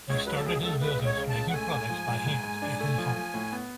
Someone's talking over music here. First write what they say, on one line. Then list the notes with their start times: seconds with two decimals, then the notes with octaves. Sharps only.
He started his business making products by hand in his home.
0.09 C#2 C#5
0.27 F#3 B4
0.36 A4
0.45 C#2 G#4
0.63 C#2 A4
0.81 C#2 B4
0.99 C#2
1.05 C#5
1.17 C#3
1.30 A5
1.35 C#2
1.50 F#5
1.54 A3 G#5
1.71 G#2
1.90 F3
2.08 G#2
2.26 G#2
2.44 G#2
2.62 D4
2.80 A3
2.98 F3
3.16 F3
3.34 A2
3.52 B3